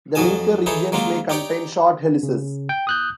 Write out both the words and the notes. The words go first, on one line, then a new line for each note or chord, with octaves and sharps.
The linker regions may contain short helices.
F2 F#3 F#4 D#5 G#5 A5
E3 D#4 G#4 A4 C#5
D#3 F#3 G#3 A#3 F4
D#4 G4 C#5 D5
C#3
G5
D#6 F#6 G6